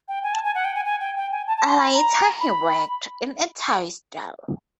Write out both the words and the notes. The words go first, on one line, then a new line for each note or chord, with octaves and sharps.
Later he worked in a toy store.
G5
G#5
A5
G#5
F#5
G5
G#5
G#5
G5
G5
G#5
A5
A5
C6
B5
A#5
B5